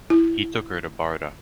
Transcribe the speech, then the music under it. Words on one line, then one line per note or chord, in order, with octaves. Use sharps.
He took her to Barda.
E4